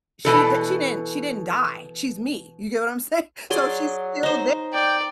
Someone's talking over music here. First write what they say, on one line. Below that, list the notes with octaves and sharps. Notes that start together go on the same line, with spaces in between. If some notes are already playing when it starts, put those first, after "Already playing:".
She d she didn't she didn't die. She's me. You get what I'm saying? So she's still there
B2 E3 A4
F#3 G#4 D5 C6
D#4 C5
D5 G5